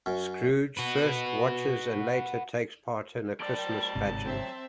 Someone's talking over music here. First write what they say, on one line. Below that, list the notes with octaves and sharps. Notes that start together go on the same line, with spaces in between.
Scrooge first watches and later takes part in a Christmas pageant.
F#2
F#4 B4
F#3 A#4 C5 D5 G5 A5
G1 G#2 C3
C4 E5